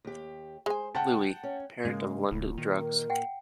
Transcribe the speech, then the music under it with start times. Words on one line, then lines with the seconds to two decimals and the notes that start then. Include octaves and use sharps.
Louie, parent of London Drugs.
0.05 D#2 G4
0.66 G#3 C5 G#5
0.95 C#3 F#5 G5 A5
1.43 C#4
1.85 G#2 C#3 G#3 A#3
2.31 D1 C#2
2.58 A#2 D#3
2.78 A#4
3.10 F#5 G5